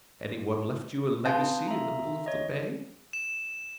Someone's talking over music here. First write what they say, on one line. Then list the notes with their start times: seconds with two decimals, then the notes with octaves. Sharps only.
"Any one left you a legacy in the middle of the Bay?"
1.25 C4 F4 G#4 B4 A5 G6
1.68 E5 A#5
2.26 C#5 D#5
3.13 E7